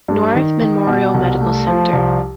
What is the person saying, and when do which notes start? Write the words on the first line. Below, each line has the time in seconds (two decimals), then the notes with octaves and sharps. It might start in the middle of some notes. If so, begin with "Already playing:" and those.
North Memorial Medical Center.
0.08 G2
0.35 D#3
0.61 D#3
0.87 B2
1.14 C2
1.41 A3
1.67 F3
1.93 C2